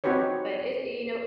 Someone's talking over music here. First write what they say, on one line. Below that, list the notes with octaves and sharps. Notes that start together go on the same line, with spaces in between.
but it and, you know
C4 D#4 F#4 G4 B4 C#5